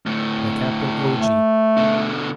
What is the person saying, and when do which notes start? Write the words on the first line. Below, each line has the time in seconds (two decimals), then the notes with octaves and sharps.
By Captain O.G.
0.06 D2 A2
1.20 A3
1.77 B2 D3